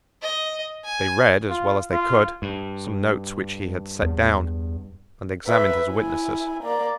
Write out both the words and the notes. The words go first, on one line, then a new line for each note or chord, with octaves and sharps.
They read as well as they could some notes which he had set down, and examined his witnesses.
D#5
G#5
F4
F4
G2
E2
B4 E5
E4 G#5
A#3 D5